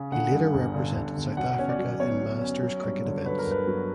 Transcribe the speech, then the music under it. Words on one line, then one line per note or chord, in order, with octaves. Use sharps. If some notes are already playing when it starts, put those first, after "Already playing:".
He later represented South Africa in Masters cricket events.
Already playing: C#3
D3 F#5
G2
G1
D3
G1
G1
B1 F#5
C#4 C#5
D5
F#3
B2 C#5
B2
C#4
F#3
G2
D3
D3 B4
A#4
G1
B4
F#3